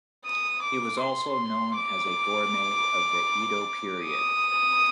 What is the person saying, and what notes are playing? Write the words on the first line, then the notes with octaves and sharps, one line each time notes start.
He was also known as a gourmet of the Edo period.
D#6
D6
C6
D6
D#6